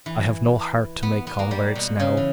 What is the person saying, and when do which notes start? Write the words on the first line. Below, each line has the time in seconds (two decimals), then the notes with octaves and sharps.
I have no heart to make converts now....
0.06 E3
1.03 B3
1.27 B3
1.39 A#3
1.51 G3
1.75 B2
2.00 C#3
2.17 E3